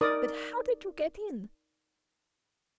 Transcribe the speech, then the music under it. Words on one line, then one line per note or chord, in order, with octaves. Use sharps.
"But how did you get in?"
D#4 A#4 D5 D#6